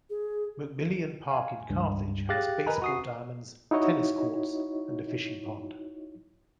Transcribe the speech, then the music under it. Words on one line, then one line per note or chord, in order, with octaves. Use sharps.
McMillian Park in Carthage has baseball diamonds, tennis courts, and a fishing pond.
G#4
F5 G#5
C#2 G2
G4 G#4 F5 F#6 A6 A#6
A#4 B4 D#5 G#5 A#5 B5
F#4 D#6 C7
D#4 E4 F#4 C#5 D#5